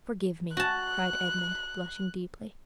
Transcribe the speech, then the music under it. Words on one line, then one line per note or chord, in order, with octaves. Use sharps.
"Forgive me!" cried Edmond, blushing deeply.
F#4 A5 F#6